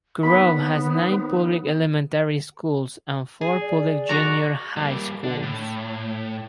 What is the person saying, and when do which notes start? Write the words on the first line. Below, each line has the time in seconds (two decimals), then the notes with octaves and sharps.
Kurobe has nine public elementary schools and four public junior high schools.
0.23 D#2 B3 B5
3.41 G#4
3.61 D5
4.09 F#4 D5 A#5 C#6
4.77 G3 A#3
5.24 D3 D4
5.42 A2